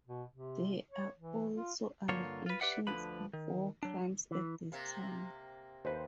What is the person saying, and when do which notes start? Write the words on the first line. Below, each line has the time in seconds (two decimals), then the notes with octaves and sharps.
There are also allegations of war crimes at this time.
0.07 B2
0.32 C3
0.91 C#5
1.16 E3
1.55 F4
2.09 G2 D3 A#3 F4 C#5
2.46 F4 B4
2.61 G4 B4 D5 E5 F#5
2.87 D2 D3 F3 B4 B5
3.33 D#3
3.83 F#3 D4
4.31 E3
4.72 C3 A#3
5.85 D#2 B4 C5